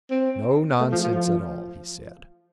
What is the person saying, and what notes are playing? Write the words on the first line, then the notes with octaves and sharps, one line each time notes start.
"No nonsense at all," he said.
C4
A3
F3
F3
F3